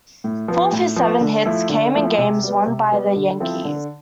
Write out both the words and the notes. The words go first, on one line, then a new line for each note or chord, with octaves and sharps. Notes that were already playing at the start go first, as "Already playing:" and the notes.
Four of his seven hits came in games won by the Yankees.
A2
F3 B3
A2
F3 B3
D3
F3 A3 E4
D3
F3 A3 E4
C3
G3 B3
C3
G3 B3
D3
F3 C4 E4 A4
D3